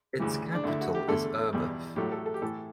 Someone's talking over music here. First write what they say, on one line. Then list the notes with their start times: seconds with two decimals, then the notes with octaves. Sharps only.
Its capital is Urbeth.
0.20 D2 C#3 E3 G3
0.54 D4
0.64 D2 D3 A3 E4
0.81 F#4
0.95 G4
1.08 E2 D3 A3 A4
1.53 E2 B2 G3
1.96 A2 F#3 A3 G4
2.12 A4
2.26 A4
2.34 G4
2.41 A2 E3 A3 A4